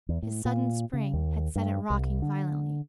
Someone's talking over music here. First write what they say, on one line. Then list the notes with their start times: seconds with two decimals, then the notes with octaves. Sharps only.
His sudden spring had set it rocking violently.
0.09 E2
0.22 A2
0.45 A#2
0.93 C#3
1.14 D#2
1.56 G2
1.90 C2
2.22 D3